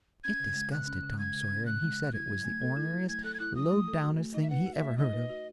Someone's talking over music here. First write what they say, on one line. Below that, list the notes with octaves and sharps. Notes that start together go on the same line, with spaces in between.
It disgusted Tom Sawyer, and he said it was the orneriest, low-downest thing he ever heard of.
C#4 G#6
C#3
G#3
C#3 F#6
C#4
C#3
G#3 G#6
C#3
C#4
C#3 F#6
G#3
C#3
E4 G#6
F#3
A3
A4
E4
F#3
A3 G#6
A4 F#6
G#6
E4 F#6
F#3 D#6
A3
A4
F#4
A3
D#4 D#5
E5
B4 F#5
F#4
E5
A3
D#4 D#5
B4
F#4